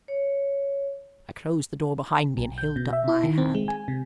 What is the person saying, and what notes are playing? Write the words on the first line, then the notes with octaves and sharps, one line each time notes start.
I closed the door behind me and held up my hand.
C#5
B1
G6
B2
E5
E4
D#3
C4
G#3
G#5
C3